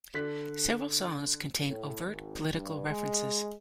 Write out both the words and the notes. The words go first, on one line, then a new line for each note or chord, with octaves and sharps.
Several songs contain overt political references.
D3 D4 F#6 B6
A2
G#1
G2
G#3